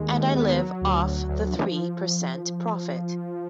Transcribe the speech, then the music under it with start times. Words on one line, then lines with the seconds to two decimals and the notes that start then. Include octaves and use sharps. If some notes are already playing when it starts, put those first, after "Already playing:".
And I live off the three percent profit.
Already playing: D#2 D#3 G#3
0.10 D#2
0.35 B3
0.58 F#3
0.81 D2
1.05 D2
1.29 D2
1.52 F3
1.75 F3